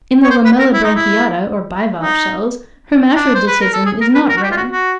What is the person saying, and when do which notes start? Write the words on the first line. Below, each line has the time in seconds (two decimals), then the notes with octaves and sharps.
In the Lamellibranchiata, or bivalve shells, hermaphroditism is not rare.
0.24 C#5
0.30 C5
0.45 B4
0.59 A#4
0.74 E4
0.84 D#4
0.95 E4
2.01 D#4
3.15 D4
3.35 C5
3.48 B4
3.61 A#4
3.73 A4
3.86 G#4
4.01 A#4
4.15 B4
4.29 A#4
4.37 F#4
4.43 G4
4.51 F4
4.57 F#4
4.72 F#4